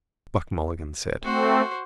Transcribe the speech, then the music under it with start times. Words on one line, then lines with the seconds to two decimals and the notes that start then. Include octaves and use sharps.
Buck Mulligan said.
1.24 A3 C4 F#4 C5